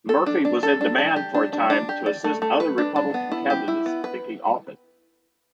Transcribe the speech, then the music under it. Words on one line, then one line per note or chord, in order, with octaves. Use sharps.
Murphy was in demand for a time to assist other Republican candidates seeking office.
A4
D4
D4
A4
D4
D4
G4
D4
D4
D4
G4
D5
A3
A3
B4
D4
D4
B3
E4
G4
E4
B3
B4